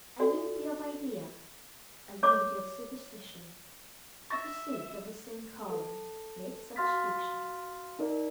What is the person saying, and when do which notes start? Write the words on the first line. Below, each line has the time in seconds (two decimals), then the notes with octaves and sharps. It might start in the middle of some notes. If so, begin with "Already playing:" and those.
A unity of idea, a unity of superstition, the pursuit of the same calling, make such fusions.
0.19 F#4 A4 D5 G#5
2.23 C#5 D6
4.30 E5 C#6 A6 A#6
5.69 A4
6.76 F#4 F5 C6 F6 A6 B6
7.99 D#4 A#4 D5